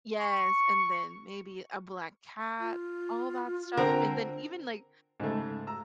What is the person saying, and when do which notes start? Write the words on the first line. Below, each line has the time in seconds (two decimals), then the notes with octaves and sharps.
Yes. And then maybe a black cat, all that stuff. And then even, like,
0.20 C#6
2.60 F4
3.77 D3 C4 A#4
5.20 G#2 C#3 A3
5.67 A#5 E6